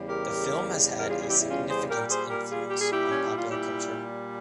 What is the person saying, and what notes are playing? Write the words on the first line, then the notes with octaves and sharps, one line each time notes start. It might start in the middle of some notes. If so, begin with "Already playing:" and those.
The film has had a significant influence on popular culture.
Already playing: E2 C#3 G3
G4 A#4
A#4
F4 G#4
G#4
E4 G4
E4
C#4 F4
G#4 C5
A#2 G3 G4 A#4
G#4 C5
G4 A#4
F4 G#4
G4
G#4
E4 G4
C#4
E4
F4
E4 G4